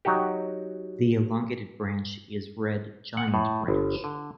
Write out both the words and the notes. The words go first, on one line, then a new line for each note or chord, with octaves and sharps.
The elongated branch is Red giant branch.
F#3 D#4 F#4 G4
F#5
A2
G1
D3